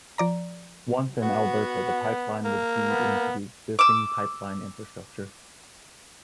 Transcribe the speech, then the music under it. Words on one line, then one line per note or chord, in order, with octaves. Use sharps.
Once in Alberta, the pipeline would feed into the existing pipeline infrastructure.
F3 D5 A#5
B3 F#4
A#3
B3
D6 E6